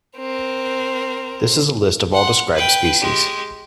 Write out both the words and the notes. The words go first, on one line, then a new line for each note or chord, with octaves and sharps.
This is a list of all described species.
C4 A#4
F#5 C6
B4 G5
G#3 G4